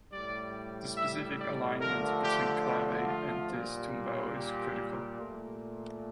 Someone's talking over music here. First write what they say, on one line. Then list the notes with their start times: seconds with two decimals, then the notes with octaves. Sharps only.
The specific alignment between clave and this tumbao is critical.
0.12 A2 G3 D5
0.97 E5
1.40 D5
1.81 D3 F3 A3 A#4
2.24 G4
2.65 G4
3.07 F4
3.51 A#2 G3
4.34 G4
5.20 A#2 A3